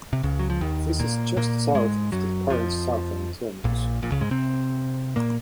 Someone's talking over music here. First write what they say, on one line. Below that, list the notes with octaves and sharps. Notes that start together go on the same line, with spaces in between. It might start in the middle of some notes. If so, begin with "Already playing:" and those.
This is just south of the current southern terminus.
C3
C#2 C#3
F#3
F3
D#2 D#3
A#2 A#3
A#2 A#3
G#2 G#3
F#2 F#3
F2 F3
A#1 A#2
A#1 A#2
C#2 C#3
G#2 G#3
C3 C4
A#2 A#3